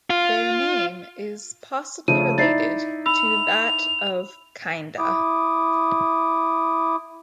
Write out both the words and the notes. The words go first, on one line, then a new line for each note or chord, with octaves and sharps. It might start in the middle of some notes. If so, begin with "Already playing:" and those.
Their name is possibly related to that of Kinda.
F4
C#3 F3 A3 D#7
D#4 E4 D5 A6 C7
B5 E6 F7
E4 D6 D#6